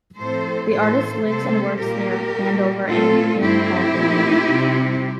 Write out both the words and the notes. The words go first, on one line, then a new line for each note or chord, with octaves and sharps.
The artist lives and works near Hanover and in California.
A2 F3 C4 A4 C5
A2 E3 A#3 A4 C5
C3 G3 A#3 A4 C5
A#2 G3 A#3 G4 A#4
A#2 G3 A#3
A#2 A3 C4 F4 A4
G2 D3 A3 C4 E4 G4
A#2 A3 C4
C3 G3 C4